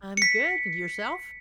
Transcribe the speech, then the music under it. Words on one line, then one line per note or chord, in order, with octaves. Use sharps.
I'm good, and yourself?
B6 C#7